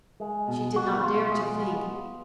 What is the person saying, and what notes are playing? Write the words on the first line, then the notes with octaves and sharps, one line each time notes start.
She did not dare to think.
G#3
B2
B2 F#4
F#4
B2 F4
G#3
B3